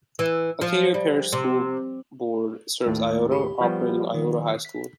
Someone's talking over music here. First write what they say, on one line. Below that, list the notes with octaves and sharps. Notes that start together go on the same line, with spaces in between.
Acadia Parish School Board serves Iota, operating Iota High School.
E3
F3
G3
C3
D#2 A2 A3
G4 B5
F3 G3 B3
D#3
B6